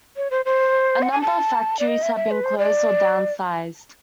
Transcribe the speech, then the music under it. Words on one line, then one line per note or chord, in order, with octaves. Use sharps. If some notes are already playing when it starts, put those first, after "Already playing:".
A number of factories have been closed or downsized.
C#5
C5
C5
F#5
G#5
A5
D5
D#5
E5
E5
B4
C5
D5